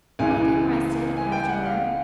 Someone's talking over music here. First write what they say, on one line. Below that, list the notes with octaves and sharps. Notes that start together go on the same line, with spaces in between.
"I get rested--afterward."
C#2 C#3 E3 G#5
G#5
G5
F#5
F5